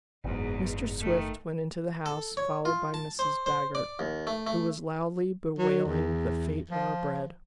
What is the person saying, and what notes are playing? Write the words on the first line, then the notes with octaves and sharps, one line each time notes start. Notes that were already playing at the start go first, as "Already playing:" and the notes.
Mr. Swift went into the house, followed by Mrs. Baggert, who was loudly bewailing the fate of her bread.
F#1 E2 G#2
D#3 A3
A4
C#5
F4
A5
C5
C5
D5
D#2
A3
A3
F#3
E2
F3